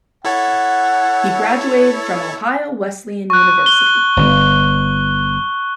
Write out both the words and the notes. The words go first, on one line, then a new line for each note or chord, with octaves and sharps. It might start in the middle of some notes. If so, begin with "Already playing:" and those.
He graduated from Ohio Wesleyan University.
E4 A4 C#5 F#5
C#6 F#6
G7
G1